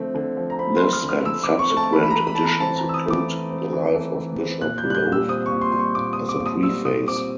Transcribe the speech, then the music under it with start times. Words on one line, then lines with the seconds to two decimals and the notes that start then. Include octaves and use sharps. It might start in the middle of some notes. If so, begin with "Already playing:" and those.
This and subsequent editions include the life of Bishop Lowth as a preface.
Already playing: D3 F3 A3 C4
0.15 D3
0.37 F3
0.50 A#5
0.59 C4 B5
0.76 C6
0.82 A3
0.93 F6
1.03 D3
1.09 F6
1.26 F3 E6
1.43 D6
1.48 C4
1.59 C#6
1.70 A3
1.77 A5
1.93 E3 B5
2.03 B5
2.10 A#5
2.16 A3
2.27 B5
2.35 A5
2.38 E3
2.44 A#5
2.60 C4 A5
2.76 A#5
2.82 E3
2.89 E6
2.94 D#6
3.06 A3 D6
3.27 E3
3.49 C4
3.73 E3
3.95 A3
4.17 E3
4.40 C4
4.61 A#2 F#6
4.78 G6
4.83 G3
4.90 F#6
4.95 G6
5.06 A#2
5.12 E6
5.29 C4 D#6
5.46 C#6
5.51 A#2
5.61 C6
5.72 G3 C6
5.79 C#6
5.95 A#2 D6
6.13 D#6
6.18 C4
6.29 D6
6.40 A#2
6.46 D#6
6.63 G3 E6
6.85 A#2 D#6
7.08 C4 D6